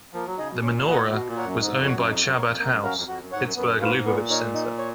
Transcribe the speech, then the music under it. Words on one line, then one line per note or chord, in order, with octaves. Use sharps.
The menorah was owned by Chabad House, Pittsburgh's Lubavitch Center.
F3 A#3
F#3
C#3 D#4 G#4 D#5
B2
A#2 C#4
F#4 B4 D#5 F#5
B2 F#4
A#2
A#4 C#5 F#5
F#2
G#2 D#4
F2
F#4 C#5 F#5
F#2
F2 D#4
F#2
A#4 C#5
F2
F#2 A#3
F#2
F#2 C#4 F#4 A#4 F5
F2
F2 F#4
F#2
G#2 C#5 F#5
F#2
F#2 B3
G#2 F4 B4
A#2 B3
D#4 A#4 C#5
D#4
C#5